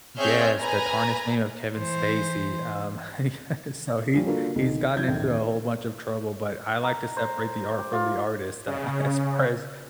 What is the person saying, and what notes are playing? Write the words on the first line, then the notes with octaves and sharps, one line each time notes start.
Yes, the tarnished name of Kevin Spacey, um, he got so he he's gotten into a whole bunch of trouble, but I like to separate the art from the artist, uh, as far as
C4 G#4 C#5 E5 F6 G6
B4 G#5 A#5
E3 C5
F3 G3 C#4 F4
D3 A#3 D4 F4 F#4 A4
B1 D#3
E3 F#3 G6 G#6
A#1 D#2 A2 C3 E3
A#5
C5
G4
F4
C#3